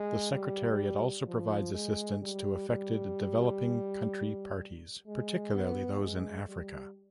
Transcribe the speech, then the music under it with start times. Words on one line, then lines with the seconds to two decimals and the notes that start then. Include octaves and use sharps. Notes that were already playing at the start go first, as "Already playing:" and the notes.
The secretariat also provides assistance to affected developing country Parties, particularly those in Africa.
Already playing: G#3
0.32 G3
1.27 F3
1.74 G#3
2.22 G3
2.69 G3
5.07 G#3
5.54 B3
6.01 G#3
6.49 G3